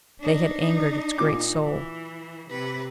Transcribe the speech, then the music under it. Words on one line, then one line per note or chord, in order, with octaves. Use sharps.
They had angered its great soul.
D4 D#4
A#2 D6
E3
C3 B4